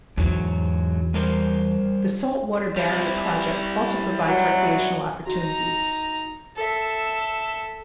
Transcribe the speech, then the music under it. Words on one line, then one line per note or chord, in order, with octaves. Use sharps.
The salt water barrier project also provides recreational opportunities.
E2 G#2 F#3
G3 A#4 C5
G3 E4
F#3
D#4 F#4 A#5
A4 E5